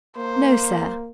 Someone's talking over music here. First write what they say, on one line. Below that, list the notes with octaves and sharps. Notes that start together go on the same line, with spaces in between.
"No, sir."
A#3 C5